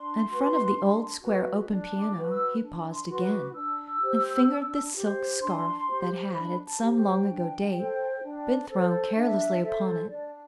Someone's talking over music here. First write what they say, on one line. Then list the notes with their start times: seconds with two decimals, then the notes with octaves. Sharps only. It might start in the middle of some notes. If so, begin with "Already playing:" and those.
In front of the old, square, open piano he paused again, and fingered the silk scarf that had, at some long ago date, been thrown carelessly upon it.
Already playing: D4 C6
0.28 F#4 B4
0.75 D4
1.21 F#4 B4
1.68 D4
1.99 D6
2.14 F#4 B4
2.30 E6
2.61 D4
2.92 C6
3.08 F#4 B4 C6
3.24 D6
3.55 D4 E6
4.01 G4 C5
4.48 D4
4.95 G4 C5
5.42 D4 C6
5.89 G4 C5
6.35 D4 B5
6.67 A5
6.82 G4 C5
6.98 G5
7.29 D4
7.76 A4 C5
8.23 D4
8.69 A4 C5
9.16 D4 E5
9.63 A4 C5
10.09 D4 D5